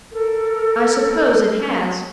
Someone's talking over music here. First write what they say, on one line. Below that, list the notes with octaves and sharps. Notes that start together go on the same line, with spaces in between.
I suppose it has.
A4 A#4